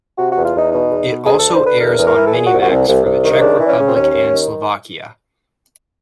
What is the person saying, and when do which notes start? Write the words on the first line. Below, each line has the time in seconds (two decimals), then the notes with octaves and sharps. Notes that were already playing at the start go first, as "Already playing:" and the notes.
It also airs on Minimax for the Czech Republic and Slovakia.
0.18 C3 F#4
0.32 E2 F#4
0.45 F4
0.54 E2 D#4
0.72 B2 D#4
0.90 E2
1.08 B2
1.26 D2 G#4
1.39 D3 A4
1.53 C5
1.62 D3 B4
1.79 E2 A#4
1.98 E2
2.07 A#4
2.16 E3
2.27 A4
2.34 A#2 G#4
2.47 C2 F#4
2.61 F#4
2.70 C2
2.88 C2
3.06 C2
3.24 D#3
3.32 D#4
3.42 C#3 D4
3.59 E3 D4
3.68 C#4
3.78 C#3
3.85 C4
3.95 D#2 C#4
4.14 D#2
4.32 D#3